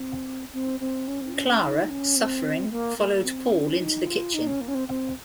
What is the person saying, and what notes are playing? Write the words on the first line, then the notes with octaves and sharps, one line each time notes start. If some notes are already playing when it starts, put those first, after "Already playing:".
Clara, suffering, followed Paul into the kitchen.
Already playing: C4
C4
C4
C#4
C4
C#4
C#4
D#4
C#4
C4
A#3
A#3
C4
C#4
D#4
F4
D#4
C#4
A#3
C#4
C4
C4